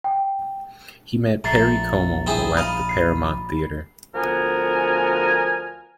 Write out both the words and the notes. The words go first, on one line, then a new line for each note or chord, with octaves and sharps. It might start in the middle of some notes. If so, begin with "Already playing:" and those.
He met Perry Como, while at the Paramount Theater.
G5
A#1 A3 A#5 A6 C7
C4 E4 G#4
D#5 F5 B5
C7
D2 F3 B3 A#4 G#5